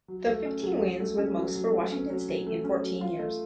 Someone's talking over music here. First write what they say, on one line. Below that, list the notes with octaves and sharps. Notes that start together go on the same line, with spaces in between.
The fifteen wins were the most for Washington State in fourteen years.
F#3
A3
C#4
F#3
F#3
A3
C#4
F#3
F#3
A3
C#4
F#3
F#3
A3
C#4
F#3
F4
A3